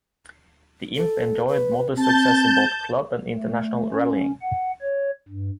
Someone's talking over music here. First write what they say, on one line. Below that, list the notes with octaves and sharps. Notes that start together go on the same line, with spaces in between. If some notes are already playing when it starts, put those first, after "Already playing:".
The Imp enjoyed modest success in both club and international rallying.
A4
B4
C4 A5 G6
A3
C#4
F#5
C#5
G2